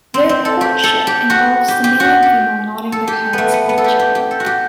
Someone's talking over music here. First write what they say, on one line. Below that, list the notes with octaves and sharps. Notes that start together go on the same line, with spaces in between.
Their courtship involves the male and female nodding their heads at each other.
C4
C4
A4
G4
A4
G4
F#4
G4
G4
F#4
G4
A4
G4
A3 B3
B3
B3
A4
G4
G4
G4
A4
F#4
G4